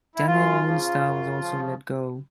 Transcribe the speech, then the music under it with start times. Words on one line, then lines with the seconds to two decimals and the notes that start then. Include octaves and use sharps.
Danielle Moonstar was also let go.
0.16 E4
0.27 F#2 F4
0.64 C#3 F3
1.01 F#2
1.38 C#3 F3